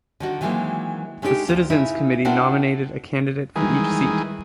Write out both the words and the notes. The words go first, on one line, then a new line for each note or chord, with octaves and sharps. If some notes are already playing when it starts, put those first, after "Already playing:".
The Citizens' Committee nominated a candidate for each seat.
D3 D#3 F#4
D#3 E3 F#3 G#3 A#3 C4
G#3 A3 D4 D#4 F#4 G4
D2 C4 F4
C#3 D#4 E4
C4 D4 E4 F#4 A#4 F#5
D#3 E3 G3 G#3 D#4 G#4